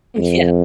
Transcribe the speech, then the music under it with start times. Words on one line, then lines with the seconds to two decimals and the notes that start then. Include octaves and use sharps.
N yeah.
0.18 F2